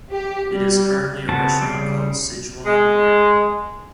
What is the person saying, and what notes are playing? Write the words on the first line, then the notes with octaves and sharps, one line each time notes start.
It is currently a restaurant called Sichuan Garden.
G4
G3
C#3 B3 C4 F#4 A5
C#3 G3
G#3